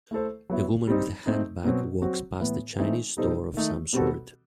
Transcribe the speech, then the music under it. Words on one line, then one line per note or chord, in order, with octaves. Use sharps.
A woman with a handbag walks past a chinese store of some sort.
A3 E4 A4 C5
F#3 B3 E4
G3 C4 D#4
A3 C4 D#4
B2 F#3 C4
F#3 C4 F#4
A2 E3 B3
E3 A3 C4 D#4
B2 G3 D#4 A4 C5
D#3 A3 D#4
B2 G3 C4 F#4 A4